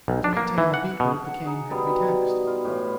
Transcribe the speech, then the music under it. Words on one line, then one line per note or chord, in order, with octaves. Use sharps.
To maintain the beet-root, the cane had to be taxed.
B1
D4
A#3
E3
F#5
B2
F#5 A5
D#4 G#4
B2 G3 B3
F4
A2 E3 F4